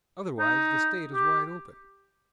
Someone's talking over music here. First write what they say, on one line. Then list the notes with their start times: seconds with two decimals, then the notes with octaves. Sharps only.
Otherwise, the state is wide open!
0.39 D#4
1.13 G4